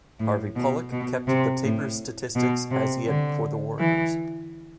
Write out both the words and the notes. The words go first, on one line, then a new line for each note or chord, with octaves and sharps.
Harvey Pollack kept the Tapers' statistics as he had for the Warriors.
A2
B2
B2
C3
A2
B2
C3
D3
E3